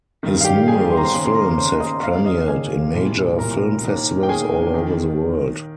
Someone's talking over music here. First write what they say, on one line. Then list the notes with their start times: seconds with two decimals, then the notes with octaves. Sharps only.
His numerous films have premiered in major film festivals all over the world.
0.23 G2 D#3
0.41 F5
0.45 G4 G5
0.68 G2 D#3 G#4 G#5
0.90 C6
0.97 A#5
1.04 C5 C6
1.13 D#2 C#3
1.26 C6
1.35 A#4 A#5
1.57 D#2 C#3 C5 C6
1.80 D#5 D#6
2.03 D#2 D#3 F5 F6
2.26 D#5 D#6
2.48 D#2 D#3 G#4 G#5
2.94 C2 A#2
3.38 C2 A#2 A#4 A#5
3.83 D#2 D#3
4.23 G5
4.29 D#2 D#3 G#4 G#5
4.74 D#3